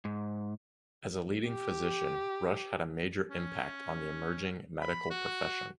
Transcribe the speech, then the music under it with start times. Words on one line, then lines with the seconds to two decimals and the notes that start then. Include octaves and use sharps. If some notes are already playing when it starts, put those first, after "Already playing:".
As a leading physician, Rush had a major impact on the emerging medical profession.
0.05 G#2
1.47 G4
3.30 C#4
4.81 B5
5.10 F#4